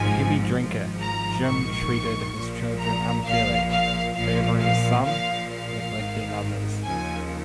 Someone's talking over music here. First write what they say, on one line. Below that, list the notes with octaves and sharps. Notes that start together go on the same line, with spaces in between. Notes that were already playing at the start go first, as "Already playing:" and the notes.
A heavy drinker, Jim treated his children unfairly, favouring some, neglecting others.
Already playing: G#1 G#2 F3 G#5
G#1 G#2 F3
A#5
A#1 G#2 D#3 C#6
A#1 A#2 F3
A#5
A#1 A#2 F3 F5
F5
A#1 A#2 F3 F5
F5
A#1 A#2 F3 F5
F5
G#1 G#2 D#3
D#2 C#3 F3 G#5